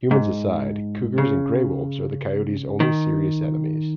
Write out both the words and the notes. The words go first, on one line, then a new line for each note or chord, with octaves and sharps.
Humans aside, cougars and gray wolves are the coyote's only serious enemies.
G#2
C#3
D#3